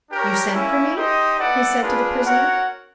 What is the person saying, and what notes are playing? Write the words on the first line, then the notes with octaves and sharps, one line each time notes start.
"You sent for me?" he said to the prisoner.
D4 G4 A#4 C#5
A#3 C#4 E4
D#4 G4 C5 D#5
B3 E4 A4 D5 F#5
D4 F4 G#4 B4
F#4 A#4 C#5 F#5